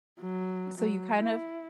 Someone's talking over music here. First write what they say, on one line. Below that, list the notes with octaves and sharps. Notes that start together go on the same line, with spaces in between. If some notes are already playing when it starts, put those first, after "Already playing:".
So you kind of
F#3
F#3
E4